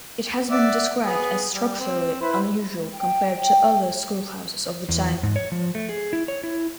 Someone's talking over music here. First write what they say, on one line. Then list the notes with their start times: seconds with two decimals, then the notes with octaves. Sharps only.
It has been described as "structurally unusual" compared to other schoolhouses of the time.
0.51 D5 E5 F#5
1.05 B3 G#4
1.53 G3
1.80 C4
2.21 E4 B4 C5
2.93 G5
4.89 E2
5.23 G#2
5.36 C#5
5.52 F3
5.75 A3
5.89 G#4
6.13 E4
6.28 C#5
6.44 E4